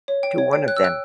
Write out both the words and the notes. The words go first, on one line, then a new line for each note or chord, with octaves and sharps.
To one of them.
C#5
G5
C#5
G5
C#5 F#6
E6
G5 F#6